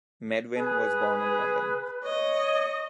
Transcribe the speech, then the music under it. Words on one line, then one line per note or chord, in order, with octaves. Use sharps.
Medwin was born in London.
G#4 B4
C#5 D#5